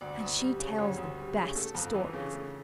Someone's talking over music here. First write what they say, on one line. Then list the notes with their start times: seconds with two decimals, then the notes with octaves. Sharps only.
And she tells the best stories.
0.01 D2 D5
0.20 D2
0.40 G3
0.59 C#3
0.78 D2 C#5
0.98 D2
1.17 G3
1.36 C#3
1.55 A3 A4
1.75 F2
1.94 E3
2.13 C#3
2.33 A3